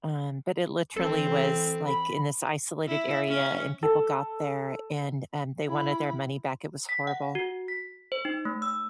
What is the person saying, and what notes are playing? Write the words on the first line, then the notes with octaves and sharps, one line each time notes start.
Um, but it literally was, like, in this isolated area, and people got there, and, um, they wanted their money back. It was horrible.
E3 C4 A4
B5
E4
C#4
A4
E4 B5
B6
F#5
F#4
B6
C5
D#4
A3
E6